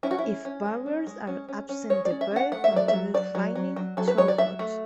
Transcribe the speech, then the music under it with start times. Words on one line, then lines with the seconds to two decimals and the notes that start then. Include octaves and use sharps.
If barriers are absent the bell continues ringing throughout.
0.03 C#4 E4
0.11 F#4
0.18 E4
0.24 C#4
0.45 C#4
0.66 G#3
0.86 C#4
1.07 G#3
1.27 C#4
1.49 C#4
1.69 C#4
1.90 G#3 C#5
2.05 D5
2.10 C#4
2.21 E5
2.31 C#4
2.36 F#5
2.52 A3 F#5
2.64 E5
2.72 F#3 D5
2.88 E5
2.93 F#3
3.14 F#3 D5
3.35 F#3
3.55 F#3
3.76 F#3
3.97 F#3 A4
4.08 B4
4.18 F#3 C#5
4.28 D5
4.38 F#3 E5
4.59 A3